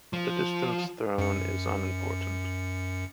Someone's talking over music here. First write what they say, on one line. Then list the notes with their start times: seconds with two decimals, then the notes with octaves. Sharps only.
The distance thrown is unimportant.
0.13 F3
1.18 F#2 C#7